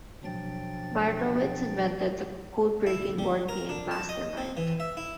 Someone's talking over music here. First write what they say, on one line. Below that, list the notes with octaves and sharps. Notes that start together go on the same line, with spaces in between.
Meirowitz invented the code-breaking board game "Master Mind".
B2 F3 F#3 D4 G5 A6
E4
G3
A#4
D4
A5
D#5
C4
E3
E5
E4